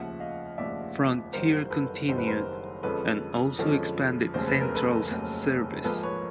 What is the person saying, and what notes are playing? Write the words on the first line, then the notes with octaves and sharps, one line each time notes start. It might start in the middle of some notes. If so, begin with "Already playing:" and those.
Frontier continued and also expanded Central's service.
Already playing: F1 D#2 C#3 F3 E5 F#5
D#5 F5
F1 D#2 C#3 F3 D5 E5
F#1 F#2 D#3 G3 A#4 C5
A4 B4
F#1 F#2 D#3 G3 C5
B4
A#4 C5
F2 D3 F3 G#3 C#4 A4 B4
F2 D3 F3 G#3 C#4
F1 D#2 C#3 F#3 C5
B4
A#4
A4 B4
F1 D#2 C#3 F#3
A#1 G#2 F3 A#3 A4 B4
B4 C#5